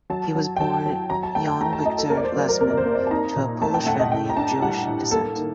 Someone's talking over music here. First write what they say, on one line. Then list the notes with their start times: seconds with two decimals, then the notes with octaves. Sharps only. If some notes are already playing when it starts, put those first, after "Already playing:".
He was born Jan Wiktor Lesman to a Polish family of Jewish descent.
0.10 F#3 A5
0.35 F#3
0.56 G5
0.60 F#3 A5
0.86 F#3
1.10 F#3 A#5
1.23 A5
1.35 A3 G5
1.47 G5
1.61 A3 A#5
1.73 A5
1.85 A3 D#5
1.98 A4
2.10 A#3 A#4
2.17 D5
2.24 C5
2.35 F#3 C5
2.49 A#4
2.60 C3 A#4
2.70 D5
2.77 C5
2.86 A#3
2.95 D5
3.07 A5
3.11 D#4 A#5
3.36 A#2
3.61 A3 A5
3.74 G5
3.86 A3 F#5
3.99 D#5
4.12 A2 G5
4.30 A#5
4.37 D4 A5
4.62 G3 F#5
4.87 A2
5.11 A#3 A4
5.37 D#3